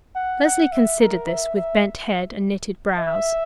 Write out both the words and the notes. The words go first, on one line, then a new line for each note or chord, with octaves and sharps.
Leslie considered this with bent head and knitted brows.
F#5
F#5
E5
A#4
E5
E5
E5